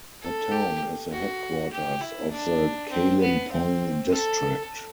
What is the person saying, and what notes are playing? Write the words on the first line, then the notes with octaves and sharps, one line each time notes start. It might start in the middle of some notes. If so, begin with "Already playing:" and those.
The town is the headquarters of the Kalimpong district.
A4
G4
F#4
G4
E4
D4
C4
B3
C4
A4